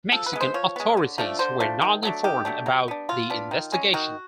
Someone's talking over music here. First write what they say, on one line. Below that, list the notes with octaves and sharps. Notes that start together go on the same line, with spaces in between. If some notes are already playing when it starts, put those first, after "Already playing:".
Mexican authorities were not informed about the investigation.
F3 A4
B4
G#3 B3
C5
F3 C#5
G#3 B3
D3
F3 A3 D4
D3 C5
F3 A3 D4
D#3
F#3 A3 D4
D#3 G4
F#3 A3 D4
F#3
B3 D4
F#3 F4
B3 D4
D#3
G#3 C#4
D#3 F#4